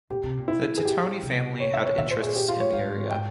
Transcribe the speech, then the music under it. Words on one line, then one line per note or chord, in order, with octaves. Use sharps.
The Tittoni family had interests in the area.
A#2 G4
C3
A#2
E4
G#4
G4
C3
C#5
E5
C#5
A#2 E5
C5
G#4
G4
F4
C#5
G#2 F5
G5